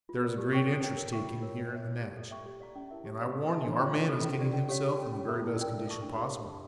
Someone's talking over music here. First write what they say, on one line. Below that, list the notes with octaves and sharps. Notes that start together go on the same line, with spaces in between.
There is a great interest taken here in the match, and I warn you our man is getting himself in the very best condition possible.
F4
A#4 D5
G4
C#5 G5 C#6
A4
C#5 G5 A#5
A#4
E5 G5 C#6
F4
A#4 C#5
F4
C#5 E5
E4
G4 D5
A4
E5 G5 A#5 C#6
G4
D5 F5 A#5
C#4
E4 A#4 E5 A5
G4
C#5 F5 C#6
A4
E5 A5
D4
F4 C#5 G5
D4
F4 A4
C#4
G4 D5
C#4
G4 C#5 F5
G4
C#5 G5
C#4
F4 A4 E5 A#5
E4
A#4 D5 G5
D4
A4 D5 A5 C#6
D4
G4 A#4 C#5 E5
G4
D5 F5 A5